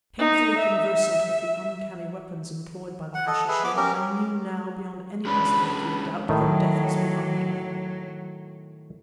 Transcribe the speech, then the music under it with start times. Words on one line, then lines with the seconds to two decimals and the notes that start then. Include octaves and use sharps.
Painfully conversant with the uncanny weapons employed by the Hashishin, I knew now, beyond any possibility of doubt, that death was behind me.
0.19 D#4
0.58 E5
3.15 F#5
3.27 A4 D#5
3.48 G#4 B4 E5
3.64 B3 D6
3.77 C#4 G4 A#4
5.25 G#3 C#4 D4 B4
6.29 A2 D#3 F#3